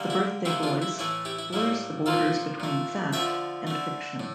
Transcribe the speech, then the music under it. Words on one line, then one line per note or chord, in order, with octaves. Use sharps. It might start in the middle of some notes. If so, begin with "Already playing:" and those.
"The Birthday Boys" blurs the borders between "fact" and "fiction".
Already playing: D3 G3 A#3
E4
C3 E3 A#3 E4 G4
D4 F4
E4
A2 E3 A3 E4
E4 G4
E4
A2 G3 A#3 E4
A#2 F3 A#3 F4 A4
A#2 A3
D3 F3 A3 E5 G5
D3 A3
A2